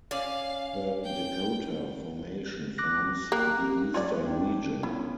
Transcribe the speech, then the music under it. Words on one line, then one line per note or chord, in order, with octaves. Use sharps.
The Dakota Formation forms the eastern region.
C#4 D5 F5
G5
D6 F#6 A#6
A#3 G4 A#5 F#6
F#2 F4 C#5 D5
D4 G5
B3 C#4 E4 F4